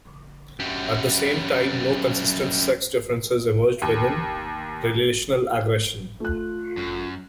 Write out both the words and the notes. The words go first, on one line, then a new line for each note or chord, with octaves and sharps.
At the same time no consistent sex differences emerged within relational aggression.
F#2 G3
D#2
A3 F4 F#6
F#2